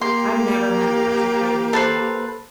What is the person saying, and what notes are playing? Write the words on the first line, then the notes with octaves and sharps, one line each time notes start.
I've never had that, surprisingly.
A#3 G4 C6
A4 B4 C5